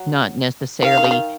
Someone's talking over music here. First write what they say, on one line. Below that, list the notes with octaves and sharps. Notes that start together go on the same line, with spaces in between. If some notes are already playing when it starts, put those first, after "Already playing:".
not necessarily
Already playing: F#3
D#3 F5
D#3
C#3
D#3